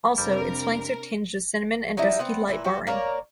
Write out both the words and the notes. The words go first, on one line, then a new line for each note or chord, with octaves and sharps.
Also, its flanks are tinged with cinnamon and dusky light barring.
F2 C3 G3 D4 A#4
F#3 G3 D#4 E4
B3 C4 F#5
A#2 E3 E4
F#4 G4
A#3 A#4 C#5 D5